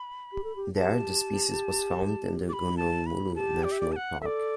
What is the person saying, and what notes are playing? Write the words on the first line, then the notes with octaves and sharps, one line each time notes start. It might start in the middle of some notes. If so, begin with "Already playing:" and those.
There the species was found in the Gunung Mulu National Park.
Already playing: B5
G4
A4
G4
G4 A5
D6
B5
A5
B5
G4 A5
D5
E5
D5
A5
F#5
A4 D5 E5